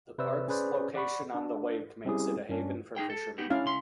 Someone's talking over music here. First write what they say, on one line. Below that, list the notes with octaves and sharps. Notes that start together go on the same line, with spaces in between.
The park's location on the lake makes it a haven for fishermen.
C3 B4 C5 D5 E5 E6
C#4 G#4 B4 C5 D5
D5 F#5 B5 C#6
D4
G3 C4 C#4 E4 G4 G#4
G2 C#4 D4
D#4 G#4 G5
A4
B3 D#4 G4
C#4 D4 E4 F5
C#2 C6